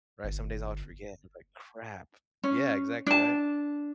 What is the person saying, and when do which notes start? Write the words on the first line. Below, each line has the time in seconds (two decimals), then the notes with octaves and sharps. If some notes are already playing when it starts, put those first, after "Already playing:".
right? Some days I would forget, and be like, "Crap." Yeah, exactly, right?
0.24 G1
2.44 C#4
3.06 D4 A5